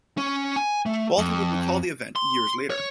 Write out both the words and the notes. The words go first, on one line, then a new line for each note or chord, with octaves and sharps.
Walter would recall the event years later.
C#4
G#5
A3
F2
C6
C#5